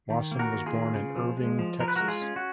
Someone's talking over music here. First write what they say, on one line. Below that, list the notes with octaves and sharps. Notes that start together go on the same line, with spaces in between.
Wasson was born in Irving, Texas.
D#3
A#3
F#4 A#4
D#3
F4 G#4
D#3
C#3
F3
G#3
F3
F3 A#4
B4
G#3 F#4 A#4
F4 G#4
C#4
F#4